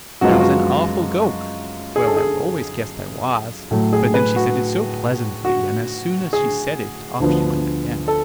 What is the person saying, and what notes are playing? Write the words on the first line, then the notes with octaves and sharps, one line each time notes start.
And I was "an awful gowk!" Well, I always guessed I was; but then she said it so pleasantly, and as soon as she said it off she went again.
F#2 F3 G#3 B3 F#4
F4
F#4
G#4
A4
G#4
A2 F#3 A3
G#4
B4
F#4
F#4
G#4
D2 D3 F3 B3
A4